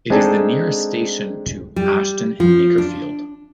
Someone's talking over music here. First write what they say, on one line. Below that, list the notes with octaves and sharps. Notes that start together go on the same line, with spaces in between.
It is the nearest station to Ashton-in-Makerfield.
G#3 C4 D4 D#4 G#4 A4
G3
F3
D4